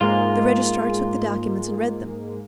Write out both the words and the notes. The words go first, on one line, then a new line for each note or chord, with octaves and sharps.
The registrar took the documents and read them.
G#2 G#3 A#3 F4